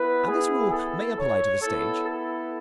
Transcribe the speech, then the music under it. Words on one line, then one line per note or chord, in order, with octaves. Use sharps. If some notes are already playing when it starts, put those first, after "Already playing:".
And this rule may apply to the stage.
Already playing: B3 E4 B4
G#4
A4
C#5
B3 E4 A4
A4